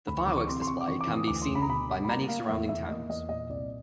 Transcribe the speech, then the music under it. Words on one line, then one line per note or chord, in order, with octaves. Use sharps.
The fireworks display can be seen by many surrounding towns.
D2 B5
C#6
E3 D6
C#6
C3 C6
C6
C3 C#6
D6
E3 C#6
D6
E3
D#6
D2 D6
C6
D2
B5
A#5
B2 B5
G3
B5
A#3 A#5
A#3 F5
E2 E5
E2 E5
A#3 D#5
E2 D#5
A#2 D#5
C2 D5